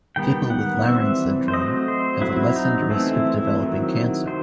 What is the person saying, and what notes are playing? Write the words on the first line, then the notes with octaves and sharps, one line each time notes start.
People with Laron syndrome have a lessened risk of developing cancer.
D#3 G3 B3 G5
F#5
E3 G3 C4 E5
C5
F#3 A3 C4 D#5
C5
F#3 C4 E4
D#4
E3 A3 C4 E4
E4
E4
D#3 F#3 C4
D#3 F#3 C5